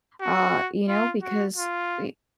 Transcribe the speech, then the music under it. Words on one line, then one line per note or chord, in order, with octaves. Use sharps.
uh, you know, because eh
F#4
F4
F#4
F4